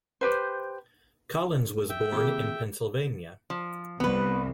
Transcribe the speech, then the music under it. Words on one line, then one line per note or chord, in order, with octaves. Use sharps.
Collins was born in Pennsylvania.
G4 B4 C5
E5 G5
D#2 C3 F4 G4 G#4
F3
C2 B3 B4